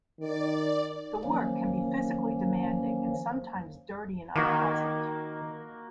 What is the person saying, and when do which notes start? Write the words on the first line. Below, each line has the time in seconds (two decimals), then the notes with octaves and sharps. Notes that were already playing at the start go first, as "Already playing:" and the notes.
The work can be physically demanding and sometimes dirty and unpleasant.
0.20 D#3 D5
1.24 D#3 F3 F#3 A#3 C#4
4.36 D#3 A#3 F#4